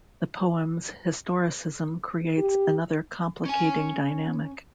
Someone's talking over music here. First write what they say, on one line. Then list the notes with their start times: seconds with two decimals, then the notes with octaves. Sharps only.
The poem's historicism creates another complicating dynamic.
2.38 G4
3.45 C#4 G#5